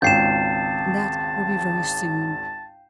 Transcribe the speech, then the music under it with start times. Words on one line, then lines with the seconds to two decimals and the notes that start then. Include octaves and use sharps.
And that will be very soon.
0.02 G#1 C#2 F5 G5 A5 G6 C7 E7